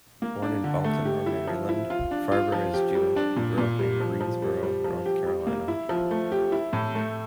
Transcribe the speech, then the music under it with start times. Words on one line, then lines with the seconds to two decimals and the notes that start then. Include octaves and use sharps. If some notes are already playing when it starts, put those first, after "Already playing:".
Born in Baltimore, Maryland, Farber is Jewish and grew up in Greensboro, North Carolina.
0.22 A#3
0.42 D4
0.64 D3
0.84 A3
1.05 G4
1.26 E4
1.47 F3
1.69 E4
1.90 F4
2.11 D4
2.32 F4
2.52 F3
2.74 G4
2.95 G3
3.16 D4
3.37 A#2
3.58 A#2
3.79 G3
4.00 F3
4.21 F3
4.42 G3
4.63 G3
4.84 F3
5.06 G4
5.26 G3
5.47 A#3
5.68 E4
5.89 F3
6.11 A3
6.32 G4
6.52 E4
6.73 A2
6.95 A3